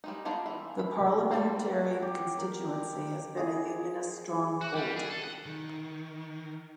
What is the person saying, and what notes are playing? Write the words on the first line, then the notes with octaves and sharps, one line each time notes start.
The parliamentary constituency has been a Unionist stronghold.
G3 G#3 D#4
B3 D4 F4 G#4 A#4
E3 E5
B5
G3 A3 A#3 C5
G4
A#4
G#4
F#4
G3
G#4
A4
F#5
D#3